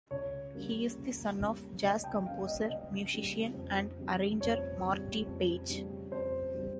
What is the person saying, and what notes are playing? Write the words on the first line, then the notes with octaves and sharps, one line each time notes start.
He is the son of jazz composer, musician, and arranger Marty Paich.
C#2 C#5
C#3 G3 A#3 C#4
C#2
C#3 G3 A#3 C#4
C#2 D#5
G5
C#3 G3 A#3 C#4 F5
D#5
C#2 D#5
C#3 G3 A#3 C#4
F2
C#3 G3
F2 C#5
C#3 G3
F2
C#3 G3
F2 C5
C#3 G3